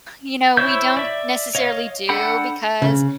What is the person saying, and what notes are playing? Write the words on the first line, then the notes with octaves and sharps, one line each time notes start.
you know, we don't necessarily do because
E4 C5 C#5 E5 G6
D5 E5
C#5 D#5 F5
D4 A4 F#5 G5 B5
C#3